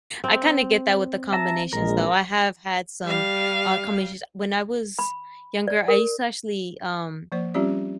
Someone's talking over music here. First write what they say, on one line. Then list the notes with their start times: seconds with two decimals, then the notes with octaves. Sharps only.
I kinda get that with the combinations though. I have had some odd combinations. When I was younger, I used to actually, um
0.24 C4
1.33 E5 A5 A#5
1.73 A#1 G#3 A#4
3.05 G3 F5
4.99 B5
5.68 D5
5.88 A#4
7.32 F3 A#3 C5 D5
7.54 G3 C4 C#4 F4 G4 D5